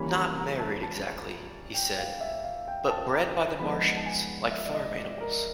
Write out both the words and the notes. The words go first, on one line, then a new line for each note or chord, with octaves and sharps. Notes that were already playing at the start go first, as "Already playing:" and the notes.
'Not married exactly-' he said, 'but bred by the Martians-like farm animals.
Already playing: E3 G3 A#3 C#4 B5
A#5
B5
A#5
A5
A5
G5
F5
E5
F5
G5
A5
A#5
F3 G#3 B3 D#4 B5
A5
G#5
E5
D5
D#5
D5
A#4